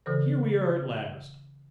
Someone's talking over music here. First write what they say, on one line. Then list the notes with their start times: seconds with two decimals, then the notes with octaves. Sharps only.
'Here we are at last.
0.06 C#3 E3 A4 C5